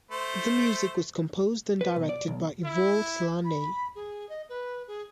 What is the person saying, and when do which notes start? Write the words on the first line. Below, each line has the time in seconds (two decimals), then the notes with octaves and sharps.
The music was composed and directed by Ivor Slaney.
0.11 A3 C5
1.81 B4
1.96 B1
2.09 D5
2.28 B1
2.65 E4
3.44 B5
3.95 G#4
4.29 D#5
4.49 B4
4.88 G#4